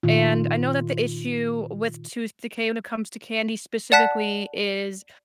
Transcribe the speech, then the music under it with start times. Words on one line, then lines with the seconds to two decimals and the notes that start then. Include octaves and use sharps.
and I know that the issue with tooth decay when it comes to candy specifically is
0.03 A#2 D#3 F4
3.92 D5 F#5 A5 F#6 B6